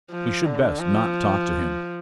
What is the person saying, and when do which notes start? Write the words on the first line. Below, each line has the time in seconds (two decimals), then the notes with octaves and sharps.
"We should best not talk to him."
0.11 F3
0.45 D3
0.80 F3